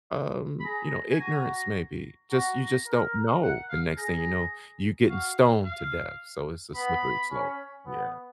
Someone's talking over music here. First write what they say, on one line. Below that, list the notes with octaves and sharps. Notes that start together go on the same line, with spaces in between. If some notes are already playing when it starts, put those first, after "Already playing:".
um, you know, ignorance, maybe. Just you just don't know. The next thing you know, you're getting stoned to death, so it's a slippery slope. Yeah.
B5
G#4 A#5
G#5
F#4 A#5
F#4 A#5
A#4
F#5
F5
G#4 A#5
F#4 F5
F5
B3 B5
C#4
B3